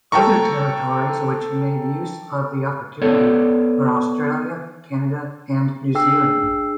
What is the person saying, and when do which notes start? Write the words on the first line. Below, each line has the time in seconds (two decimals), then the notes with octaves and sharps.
Other territories which made use of the opportunity were Australia, Canada and New Zealand.
0.12 A4 G5 A5 A#5 C#6
3.02 B3 A4 C#5 D5
5.95 D4 G#4 G5 E6 C7